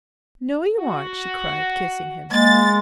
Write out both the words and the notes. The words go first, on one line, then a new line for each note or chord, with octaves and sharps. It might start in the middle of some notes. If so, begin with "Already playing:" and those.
"No, you aren't," she cried, kissing him.
F#4
G#3 A#3 A6